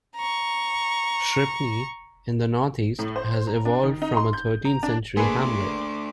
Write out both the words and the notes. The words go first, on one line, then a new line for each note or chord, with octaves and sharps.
Shripney, in the northeast, has evolved from a thirteenth-century hamlet.
A#5 C#6
A2
C5
A#5
D4
D#3
D#4
C6
G6
A#5
D4
A3 A#3 D4 G#4 B4 C6 D6